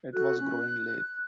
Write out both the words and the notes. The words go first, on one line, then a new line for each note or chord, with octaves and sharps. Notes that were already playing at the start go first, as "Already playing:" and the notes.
It was growing late.
F#4 A4 F#6
C#4